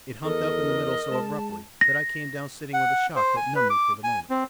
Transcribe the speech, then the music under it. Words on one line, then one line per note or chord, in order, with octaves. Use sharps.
It humped up in the middle so abruptly that I came down sitting with a shock that numbed me for the moment.
E2 A4 A#4 D#5
G#3 A5
A#6
F#5
C5
G#5
B4
D6
G#5
C4